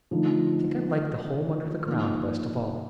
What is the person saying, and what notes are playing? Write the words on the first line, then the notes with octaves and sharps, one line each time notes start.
"I think I liked the home under the ground best of all."
D3 F3 A3 D#4
F3 A#3 D#4